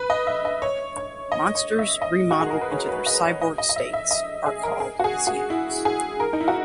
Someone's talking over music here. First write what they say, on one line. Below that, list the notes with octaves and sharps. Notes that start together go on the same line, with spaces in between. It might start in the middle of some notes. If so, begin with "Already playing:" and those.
Monsters remodeled into their cyborg states are called as units.
Already playing: B4
D#5
E5
D#5
C#5
C#5
D#5
C#5
E5
D#5
F#4
G#4
A#4
B4
C#5
B4
D#5
C#5
D#5
D#5
D#5
E5
E5
D#5
G#4
A#4
G#4
F#4
G#4
F#4
E4
G#4
A#4
D#4
E4
F#4